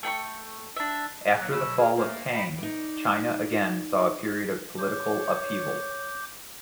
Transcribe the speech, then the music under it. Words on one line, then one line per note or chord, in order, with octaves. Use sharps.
After the fall of Tang, China again saw a period of political upheaval.
A3 G5 B5 C#6
D4 E5
F#3 A#3 F#5
B2 F#3 F#4 B5 E6
G#4 A#4
A3 A#3
D#5 F5 G5 A#5 B5
D#4 D5
C#5 D6 G6